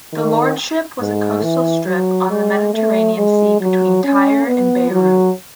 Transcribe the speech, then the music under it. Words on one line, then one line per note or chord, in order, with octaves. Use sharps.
The lordship was a coastal strip on the Mediterranean Sea between Tyre and Beirut.
D#3
G#2
E3
F#3
G#3
A3
G#3
F#3
C#4
B3
F#3